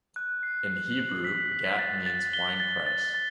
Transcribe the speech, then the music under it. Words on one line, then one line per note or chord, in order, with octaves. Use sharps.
In Hebrew, "gat" means "winepress".
F#6
C7
C7
F#7
B6
B6
A6
A6
G7
A6
A6
A6